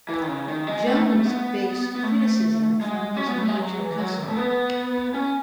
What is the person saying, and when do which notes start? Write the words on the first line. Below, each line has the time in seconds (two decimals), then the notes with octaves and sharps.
Jones faced criticism from his major customer.
0.09 E3
0.21 D#3
0.28 C#3
0.48 D#3
0.67 G#3
0.87 A3
1.06 A3
1.25 B3
1.95 B3
2.03 A3
2.81 G#3
3.17 C#4
3.28 B3
3.38 A3
3.48 G#3
3.59 F#3
3.79 E3
3.91 E3
3.98 F#3
4.17 D#3
4.28 A3
4.37 B3
5.14 C#4